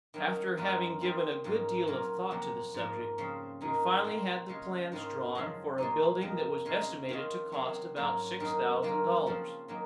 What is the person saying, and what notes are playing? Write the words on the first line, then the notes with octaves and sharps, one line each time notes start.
After having given a good deal of thought to the subject, we finally had the plans drawn for a building that was estimated to cost about six thousand dollars.
D#3 F#3 C#4
F#2 D#3 A#3 C#4 F4
D#3 G#3 C4 F4
G#2 D#3 A#3 C#4
A#2 F#3 A#3 C#4 F4
F2 C3 F#3 A#3
G#2 F3 A#3
C#3 F3 C4
G#2 D#3 G#3 D#4
A#2 G#3 C4 F4
C#3 G#3 C#4 F4
G#2 D#3 G#3 C#4 F4
F#2 C#3 F3 G#3
A#2 G#3 D#4
F2 D#3 A#3
C#3 G#3 D#4
D#3 G#3 C#4 F4
C3 D#3 F#3 C4
G#2 F#3 A#3 C#4 F4
F#2 D#3 G#3 D#4
F#2 D#3 F#3 A#3 F4
C#3 F3 C4
D#3 F#3 A#3